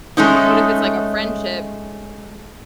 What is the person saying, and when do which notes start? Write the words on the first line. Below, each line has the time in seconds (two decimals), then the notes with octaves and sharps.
But if it's, like, a friendship,
0.17 G#3 A3 C#4 D#4